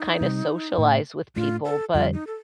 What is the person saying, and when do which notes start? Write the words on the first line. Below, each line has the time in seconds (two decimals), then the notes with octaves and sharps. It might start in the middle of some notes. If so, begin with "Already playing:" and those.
kind of socialize with people, but
Already playing: D#4
0.21 C3 G3 C4
0.78 A2 A3 D4
1.36 A2 A3 D4 F4
1.65 A4
1.94 F2 D3 G3 F4
2.13 D#4
2.27 A4